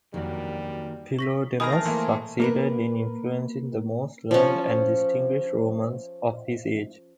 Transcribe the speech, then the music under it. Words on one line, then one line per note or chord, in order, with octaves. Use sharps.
Philodemus succeeded in influencing the most learned and distinguished Romans of his age.
F2 D#3 F#3 G3 A#3 D4 F#4
C#6 A#6 B6
D#3 G#4 A#4 D#5 A#5 B5 D#6
A3 A5 A6
E3 A#3 C5
A#3 A#4 B4
F3 C#4